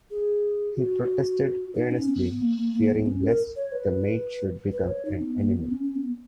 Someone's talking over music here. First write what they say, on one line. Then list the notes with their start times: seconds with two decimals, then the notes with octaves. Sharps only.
He protested earnestly, fearing lest the maid should become an enemy.
0.11 G#4
0.76 F#4
1.75 D#4
1.91 C#4
2.08 B3
2.25 B3
2.41 A#3
2.57 A#3
2.73 A#3
2.91 B3
3.06 C#4
3.23 A#4
3.56 C#5
3.72 B4
4.72 B4
4.88 C#5
5.05 D#4
5.21 B3
5.37 A#3
5.54 B3
5.71 C#4
5.83 C#4
5.96 B3